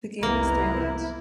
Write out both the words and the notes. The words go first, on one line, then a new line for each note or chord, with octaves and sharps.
The game has three modes.
F1 C2 A#3 B3 E4 A#5